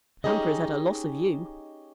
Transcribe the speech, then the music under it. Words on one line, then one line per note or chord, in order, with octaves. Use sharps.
Hamper has had a loss of you.
C#4 D#4 G4 G#4 D#5